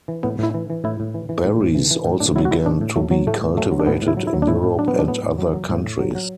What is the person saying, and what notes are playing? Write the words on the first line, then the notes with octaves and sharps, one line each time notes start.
Berries also began to be cultivated in Europe and other countries.
E3
A2 B3
A2 E4
E3
E3
A2 E4
A2
E3
E3
A2
A2
E3
E3
A2
A2 D4
F#3 E4
F#4
F#3 E4
A2 D4
A2
F#3 A3
F#3
A2 A3
A2
F#3 A3
F#3
D4
A2 B3
A2
E4
F#3
E4
F#3
D4
A2 E4
A2
F#3 D4
B3
F#3
D4
A2 B3
A2
F#3
F#3
A2
A2
F#3
F#3